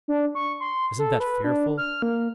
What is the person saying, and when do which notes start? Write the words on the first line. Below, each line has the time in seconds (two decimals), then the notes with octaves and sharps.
Isn't that fearful?
0.08 D4
0.35 C#6
0.60 C6
0.99 A4
1.20 B4
1.44 D4
1.77 F6
2.02 A#3